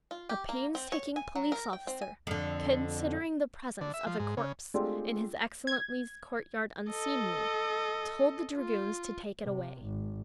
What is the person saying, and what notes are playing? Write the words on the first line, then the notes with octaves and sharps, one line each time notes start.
A painstaking police officer, considering the presence of a corpse in his excellency's courtyard unseemly, told the dragoons to take it away.
F4
G4
A#3
C4
C#5
G#5
F#3
A#4
G5
C4
G#5
F2 D3
D3
E5
F3
G#2
C#3
G#3 A3 C4 D4 F4 G4
G#6
A4 D#5
F4
C3
G#1